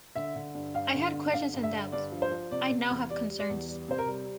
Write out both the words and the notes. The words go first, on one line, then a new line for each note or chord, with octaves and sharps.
I had questions and doubts, I now have concerns.
D3 E5
D3
G2
G2 F5
D3
G2
D3 F5
G2
E5
D3
G2 D5
F3
C5
F3
C3 D5
C3
E2
G3 D5
G3
D5
E2
G3
C3 C5
A#4
G3